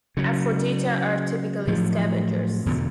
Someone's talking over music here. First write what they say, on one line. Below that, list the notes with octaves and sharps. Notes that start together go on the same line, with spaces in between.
"Aphrodita" are typically scavengers.
C#3 F#3
A2 F3 F#3
E2 B2 D3